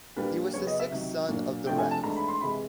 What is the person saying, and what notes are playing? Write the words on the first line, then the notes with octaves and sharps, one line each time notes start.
He was the sixth son of the Rev.
A#2 G3 A#3 D4 B4
C#3 F#3 B3 C#5
D#5
E5
C3 D#3 F#3
A#2 F#3 A#3 D4
C3 F3 A3 D4 G5
G#5
A5
G#2 E3 A3 D4 A#5
B5
C6
C3 E3 G#3 B5